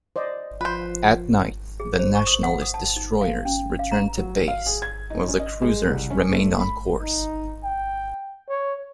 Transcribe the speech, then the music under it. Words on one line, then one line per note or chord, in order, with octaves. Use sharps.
At night, the Nationalist destroyers returned to base, while the cruisers remained on course.
C5 D5 D#5
F3 F4 B4 C5
G#4
C5
C#6
D#6
F#5
D#6
A5
D#4
F5
C#4
F5
A#5
F#3
F5
G#4
G#6
D#4
C#4
D#5
G#3
C2
C#4
A3
B5
D#4
G5
C#5